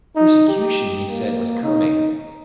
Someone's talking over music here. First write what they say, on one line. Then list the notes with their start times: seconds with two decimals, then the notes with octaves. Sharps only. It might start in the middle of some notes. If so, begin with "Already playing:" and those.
Persecution, he said, was coming.
0.16 D#4
0.48 G4
1.09 A#3
1.63 D#4